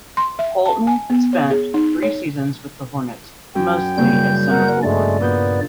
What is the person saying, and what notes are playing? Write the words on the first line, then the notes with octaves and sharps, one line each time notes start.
Holton spent three seasons with the Hornets, mostly at centre forward.
C6
E5
A5
G#5
B3
C#5
G#4
D#4
C#5
F#2 C#4 G5
C#3 G3 A#3 E4 G6
A#4 F#5
G2 G#3 A3 D5
A#2 B3 D#6 G6